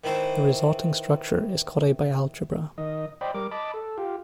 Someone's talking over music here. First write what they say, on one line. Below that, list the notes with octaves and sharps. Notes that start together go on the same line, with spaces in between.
The resulting structure is called a bialgebra.
D#3 E3 E4 C5
D#3 D#5
C5 D5 D#5 G5 B5
G3 A#4 D6
D#5 A5 B5 D6
A4
F4 G4